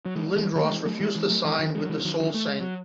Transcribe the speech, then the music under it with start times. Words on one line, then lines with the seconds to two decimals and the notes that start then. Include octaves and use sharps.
Lindros refused to sign with the Sault Ste.
0.06 F#3
0.16 E3 G#3
0.35 E3 G#3
0.55 D#3 F#3
0.64 A3
0.70 E3 G#3
0.85 F#3 A3
1.00 E3 G#3
1.15 E3 G#3
1.30 F#3 A3
1.45 E3 G#3
1.59 D#3 F#3
1.75 E3 G#3
1.86 F#3
1.89 E3 G#3
2.05 D#3 F#3
2.20 D#3 F#3
2.34 A3
2.48 G#3
2.60 F#3